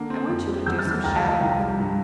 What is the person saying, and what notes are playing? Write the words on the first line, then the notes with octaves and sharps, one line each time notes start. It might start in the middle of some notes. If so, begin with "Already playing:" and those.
"I want you to do some shadowing for me."
Already playing: D3 A#3
C4
F2
G3
E2 E6 G6
F6 A6
E3
F6 A6
D2 G5 A#5
F5 A5
F3
F5 A5
C2 G5 A#5
G3
G2